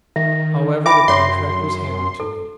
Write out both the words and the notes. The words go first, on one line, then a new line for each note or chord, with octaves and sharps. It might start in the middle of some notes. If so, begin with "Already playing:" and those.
However, the contract was handed to me.
D#3 E5
E5 G5 B5 D6
F#2 C#5 E5 C6
A4